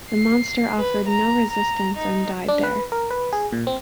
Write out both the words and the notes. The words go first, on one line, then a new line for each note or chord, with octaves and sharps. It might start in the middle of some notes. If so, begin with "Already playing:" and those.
The monster offered no resistance and died there.
C7
B4
A#5
A#5
D#4
D4
B4
A#4
B4
G#4
A#2
C4